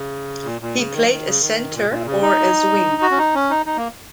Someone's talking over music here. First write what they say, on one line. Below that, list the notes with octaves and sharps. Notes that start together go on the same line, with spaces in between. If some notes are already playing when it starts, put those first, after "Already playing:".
He played as centre or as wing.
Already playing: C#3
A#2
A#2
C#3
D#3
F#3
D#3
C#3
D#3
A#2
A#2
C#3
D#4
F#4
C#4
D#4
C#4
D#4
D#4
A#3